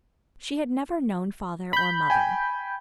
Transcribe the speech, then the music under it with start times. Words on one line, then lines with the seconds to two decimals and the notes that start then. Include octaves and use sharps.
She had never known father or mother.
1.73 B5 G6
2.10 G5 G#5